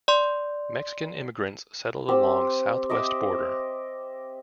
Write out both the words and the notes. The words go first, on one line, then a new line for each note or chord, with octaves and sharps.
Mexican immigrants settled along South-west border.
D5 C6
C4 G4 E6
D#5 E5 D6 E6